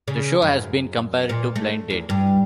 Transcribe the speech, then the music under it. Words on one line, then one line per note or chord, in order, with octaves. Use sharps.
The show has been compared to "Blind Date".
C#3
F#2
A#2
A3
E2
G2